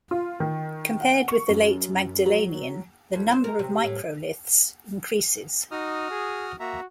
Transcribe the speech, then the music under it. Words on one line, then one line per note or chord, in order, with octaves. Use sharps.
Compared with the late Magdalenian, the number of microliths increases.
F4
D#3
F#5
C#6
F#2
F#3
F2
C5
A#4
C3
A2
D#4 F#4 D#6 F6
G#4
A#3 F#4 E5 A#5